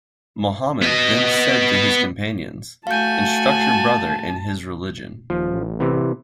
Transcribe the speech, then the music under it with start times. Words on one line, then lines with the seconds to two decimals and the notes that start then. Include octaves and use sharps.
Muhammad then said to his companions, Instruct your brother in his religion.
0.82 B3 D#5
2.87 A3 F#4 F5 G#5 A5 G6
5.30 D#1 F3
5.53 A1
5.80 C3 E3